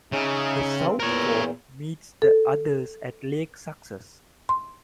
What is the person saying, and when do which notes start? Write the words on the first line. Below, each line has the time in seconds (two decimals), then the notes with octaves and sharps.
The South Fork meets the others at Lake Success.
0.12 C#3 D#4 G#4 E5
0.77 G2 C4
1.00 E2 A#2 A#4 C#5
2.22 A4
4.49 C6